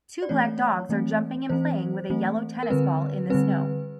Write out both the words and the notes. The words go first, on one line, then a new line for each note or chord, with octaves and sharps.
Two black dogs are jumping and playing with a yellow tennis ball in the snow.
D5
E3 A3 C4 C#5
E3 A3 C4
E3 A3 C4 C5
E3 A3 C4
A#4
D3 G3 C4 B4
D3 G3 C4 B4